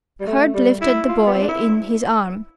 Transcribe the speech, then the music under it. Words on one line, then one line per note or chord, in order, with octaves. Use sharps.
Hurd lifted the boy in his arm.
G3
A3
G3
E4
F4
B3
C4
D4
E4